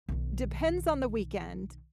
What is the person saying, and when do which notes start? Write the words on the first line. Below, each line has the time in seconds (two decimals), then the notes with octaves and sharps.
depends on the weekend,
0.09 B1 D#3